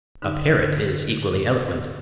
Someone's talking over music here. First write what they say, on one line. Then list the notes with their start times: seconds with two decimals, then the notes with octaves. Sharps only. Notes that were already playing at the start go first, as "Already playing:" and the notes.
A parrot is equally eloquent.
0.22 G#2 D3 D#4